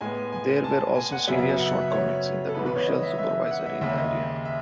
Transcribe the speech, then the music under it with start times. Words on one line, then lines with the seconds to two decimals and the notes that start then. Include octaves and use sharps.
There were also serious shortcomings in the crucial supervisory area.
0.01 A2 G#3 B3 G#5
0.32 G#5
0.64 A5
0.96 G#5
1.12 F#5
1.27 F#2 C#3 F#3 B3 E5
1.39 E5
1.49 E5
1.59 F#5
1.70 F#5
1.81 E5
1.91 C#5
2.49 A4
2.54 G#2 E3 B3 B4
2.66 B4
2.76 C#5
2.86 D#5
3.03 E5
3.18 E5
3.51 F#5
3.66 E5
3.81 D#2 C#3 G#3 E5
3.98 D#5
4.45 E5